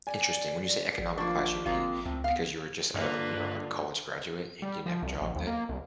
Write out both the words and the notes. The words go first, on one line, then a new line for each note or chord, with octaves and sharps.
Interesting. When you say economic class, you mean because you were just out of a, you know, a college graduate and didn't have a job then?
D5 G#5
G#1
F3 A#3 D4 C#6
G#1 G#3 A#3 C4 F4
C#2 A2 C4
B3 F5
G2 D3 A#3 F4 B4
G3
F3
C2
A#1
D#2
A#3
C2